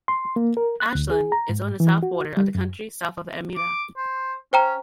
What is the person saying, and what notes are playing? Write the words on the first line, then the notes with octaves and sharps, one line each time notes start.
Ashland is on the south border of the county, south of Elmira.
C6
A#3
A#4
F#6
D2
G#4
A#5
G#2
E3
F#4
G3
F#2
D6
C5
C#4 C5 G5 A#5